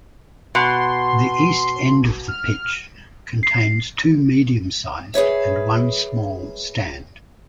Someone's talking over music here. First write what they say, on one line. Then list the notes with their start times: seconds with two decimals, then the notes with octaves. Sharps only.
The east end of the pitch contains two medium-sized and one small stand.
0.55 B2 C6
2.28 F6
3.43 C7
5.14 G#4 B4 C#5 E5